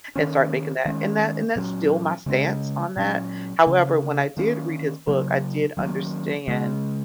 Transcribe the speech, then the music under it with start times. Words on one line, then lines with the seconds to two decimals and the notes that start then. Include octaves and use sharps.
and start making that And that and that's still my stance on that. However, when I did read his book, I did understand,
0.15 D#3 A#3 C#4
0.85 D#3 G#3 C#4
1.56 A#2 F#3 C#4
2.26 C#3 G#3 C#4
2.97 A#2 F#3 C#4
3.67 C#3 A#3 C#4
4.37 D#3 A#3 C#4
5.07 C#3 F#3 A#3
5.77 D#3 F#3 A#3 C#4
6.48 C#3 G#3 C#4